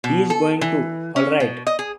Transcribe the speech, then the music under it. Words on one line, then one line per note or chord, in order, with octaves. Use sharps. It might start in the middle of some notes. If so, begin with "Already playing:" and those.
He's going to, all right.
B2
A4
E3
C#4
B2
D#5
G#4